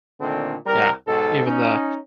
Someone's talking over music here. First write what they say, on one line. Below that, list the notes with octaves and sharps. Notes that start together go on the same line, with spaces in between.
yeah, even the,
A#2 D3 D#3 A3 C4
C2 G3 A#4
B1 G#2 B2 A4
C#4 D#4